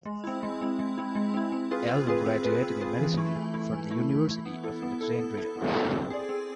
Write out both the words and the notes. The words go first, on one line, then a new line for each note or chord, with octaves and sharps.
Alwan graduated in Medicine from the University of Alexandria.
G#3
C4 E4
G#3
C4 E4
G#3
C4 E4
G#3
C4 E4
C4
F4 G#4 B4
C4
F4 G#4 B4
C4
F4 G#4 B4
C4
F4 G#4 B4
E3
A3 E4
E3
A3 E4
E3
A3 E4
E3
A3 E4
B3
E4 A4
B3
E4 A4
B3
E4 A4
B3
E4 A4
C4
G#4 D5
C4